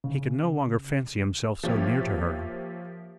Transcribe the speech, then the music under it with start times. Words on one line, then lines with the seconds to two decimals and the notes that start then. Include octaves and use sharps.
He could no longer fancy himself so near to her.
0.04 C#3
1.63 F3 A#3 G4 C#5 E5